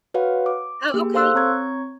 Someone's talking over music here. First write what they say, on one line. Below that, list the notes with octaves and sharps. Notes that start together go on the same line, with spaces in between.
Oh, okay.
F#4 B4 C#5 F5 F#5
D6
A#3 G4 G#4
A4 C5 F5 C6 E6 F#6
C4 C#5 A#5 C#6 G#6